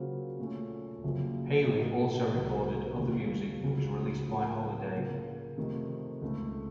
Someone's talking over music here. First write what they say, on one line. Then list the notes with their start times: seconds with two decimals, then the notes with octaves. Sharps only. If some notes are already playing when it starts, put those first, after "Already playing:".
Haley also recorded other music that was released by Holiday.
Already playing: C#3 F#3 A#3 F4 C5
0.39 A#2 A3 C#4
1.04 F#1 F#2 C#3 F3
1.68 A2 F3 A#3 D#4 A4
2.33 C2 C3 D#3 F#3 A#3
2.98 D#2 C#3 F3 A3
3.63 C#2 C#3 F#3
4.28 A2 F3 A#3
4.93 C#3 F3 A#3
5.57 F2 C3 D#3 A3
6.22 C#2 C#3 A3